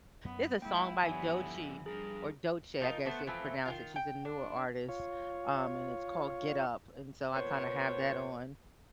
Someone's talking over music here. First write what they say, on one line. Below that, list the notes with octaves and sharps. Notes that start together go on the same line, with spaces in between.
there's a song by Doechii or Doechii, I guess you pronounce it, she's a newer artist, um, and it's called “Get Up,” and so I, kinda, have that on
F#2 B3
G#3 A#3 E4 G5
G2 F3 B3 E4 G4 C#5 G#5
D3 E3
G2 G#4 A#4
F3 D#4 F4 A#4
A3 B3 C5
E3 F3 A3 C4
D#3 E3 F4
G5
D4
F4 C#5
A#2 B3 C5 C#5